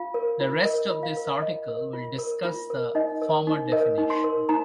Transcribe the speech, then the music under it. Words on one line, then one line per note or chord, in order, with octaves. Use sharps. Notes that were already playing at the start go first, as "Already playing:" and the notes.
The rest of this article will discuss the former definition.
Already playing: F4 F5
A#4
F4
A#4 D#5
F4
F5
A#4
F4 D#5
A#4
F4
A#4
F4
A#4
D#4 D#5
A#4
D#4
A#4 D#5
D#4
C6
A#4
D#4 A#5